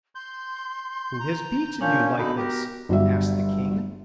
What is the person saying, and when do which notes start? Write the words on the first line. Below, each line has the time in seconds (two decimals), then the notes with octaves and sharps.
'Who has beaten you like this?' asked the King.
0.15 C6 G6
1.19 A#5
1.81 A#2 C#4 D4 F5 A5 G6
2.18 D3 B3 D#4 F#4 B5
2.38 G4 A#4
2.89 G1 F#3 G3 E5